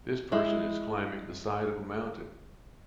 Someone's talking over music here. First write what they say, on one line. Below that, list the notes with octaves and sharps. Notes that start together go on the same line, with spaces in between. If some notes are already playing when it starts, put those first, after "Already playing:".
This person is climbing the side of a mountain.
G#3 E4